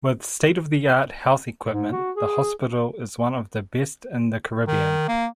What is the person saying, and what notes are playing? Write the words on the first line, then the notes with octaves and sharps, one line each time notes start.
With state-of-the-art health equipment the hospital is one of the best in the Caribbean.
G#2
F#4
G#4
D#3
A#3